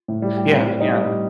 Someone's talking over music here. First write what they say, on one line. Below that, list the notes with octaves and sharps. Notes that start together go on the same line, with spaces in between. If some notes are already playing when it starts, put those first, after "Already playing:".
Yeah, yeah.
A2
G3
G4
C4
G3
D#4
G3